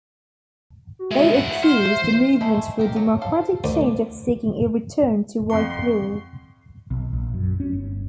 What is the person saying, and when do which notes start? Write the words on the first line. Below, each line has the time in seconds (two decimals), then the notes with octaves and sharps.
They accuse the Movement for Democratic Change of seeking a return to white rule.
0.99 F#4
1.11 G#3 B3 E5
1.34 A2 F#5
1.63 C5 F6
1.87 E5
2.02 E3
2.41 G#3 A3 B5
2.78 D#3 G4 A#4
2.96 F#3
3.21 A4 C5 F5
3.64 D2
5.50 F2 C4 C6 C#6
6.91 B1
7.13 A#1
7.34 F#2
7.60 C#4
7.73 G1